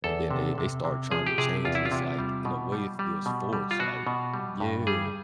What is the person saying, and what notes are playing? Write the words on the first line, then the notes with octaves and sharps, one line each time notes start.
and then they they start tryna change it, it's like, in a way, it feels forced, like yeah.
E2 A4
C3
C3
C3
F3 G#4
G4
C3 G#4
E2 F4
E4
F4
C3
G3
B2
G3
G3
B2
G3
F4
B2 F#4
B2
G3
G2
G3 G#4